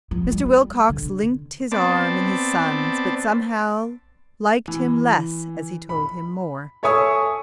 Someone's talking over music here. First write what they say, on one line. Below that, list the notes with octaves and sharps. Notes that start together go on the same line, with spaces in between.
Mr. Wilcox linked his arm in his son's, but somehow liked him less as he told him more.
F3
G3
D3
B3 C4 D5 A5
E3
B5
A4 C#5 E5 G#5 C#6 D#6